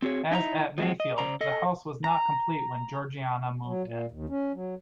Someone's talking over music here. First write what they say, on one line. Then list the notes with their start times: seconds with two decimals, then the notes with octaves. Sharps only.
As at Mayfield, the house was not complete when Georgiana moved in.
0.02 C4 F#4 G#4 C#5
0.31 D#4 E4 G#5 A#5
0.78 F3 G#3 C4 F#4
1.00 D#5
1.18 C#3 C5 D5 A#5
1.41 A4 D#5
2.04 A#5
3.65 F#3
3.83 A#2
4.11 D#2
4.30 C#4
4.54 F#3